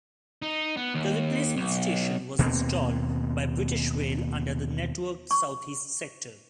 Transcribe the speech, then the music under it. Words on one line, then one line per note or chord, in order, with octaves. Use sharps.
The replacement station was installed by British Rail under the Network SouthEast sector.
D#4
B3
D#2
B1
D#2 B2 A#3 C4
C#6